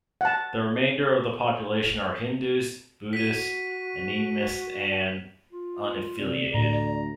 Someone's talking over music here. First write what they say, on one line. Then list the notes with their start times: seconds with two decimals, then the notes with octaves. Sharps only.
The remainder of the population are Hindus, Buddhists, animists, and unaffiliated.
0.21 F#5 A5
3.13 F#4 B6 D#7
5.53 F4
6.19 C3 D5
6.54 D2 A2 A#5